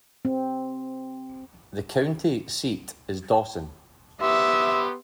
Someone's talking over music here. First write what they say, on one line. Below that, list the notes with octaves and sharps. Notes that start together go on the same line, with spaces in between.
The county seat is Dawson.
C4
B3 G4 E5 C6